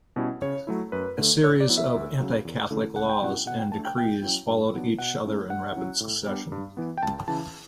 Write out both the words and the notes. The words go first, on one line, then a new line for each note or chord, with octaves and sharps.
A series of anti-Catholic laws and decrees followed each other in rapid succession.
B2 G3 C#4 E4
C#3 C#5
F#3 A3 E4
F#2 B4
D3 A3
A2 C#5
D5
F#3 B3 E4
E5
D2
C#3 F#3
E2
D3 A3 C#4 E4
C#2 F#5
G5
B2 F#3 C#4 E4 F#5
B2 F#5
G5
A3 D4 A5
G5
B2 G5
F#3 C#4 E4
G2
F#3 B3 D4
B2 F#5
A3 C#4 E4
G2 F#5
F#3 C#4 E4
A2
G3 B3 D4
G2
E3 B3
G5
C#2 A5
C#3 E3 A5